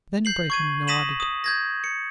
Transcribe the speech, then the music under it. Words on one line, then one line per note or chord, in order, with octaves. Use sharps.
Then Breton nodded.
G6 C7 F#7
C#6 G#6 D#7
D#6 A#6 B6 D#7 E7 F#7
D#6
G6 G#6 A#6
C#7